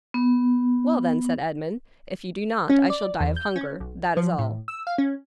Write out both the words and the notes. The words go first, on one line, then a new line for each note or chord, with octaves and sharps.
"Well, then," said Edmond, "if you do not, I shall die of hunger--that is all."
B3
C#4
D5
E2
G6
C#4
B1
F3
A2
E6
F5
C#4